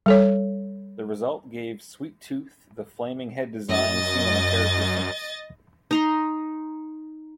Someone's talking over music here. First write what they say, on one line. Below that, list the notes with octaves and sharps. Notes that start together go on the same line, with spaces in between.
The result gave Sweet Tooth the flaming head design seen on the character since.
G3 A4 C#5
F#2 D#5 A6
D#4 A#5 C6